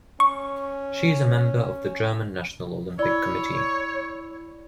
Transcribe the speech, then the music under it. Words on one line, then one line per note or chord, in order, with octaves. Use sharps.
She is a member of the German National Olympic Committee.
C#4 C#6
E4 C#5 D5 B5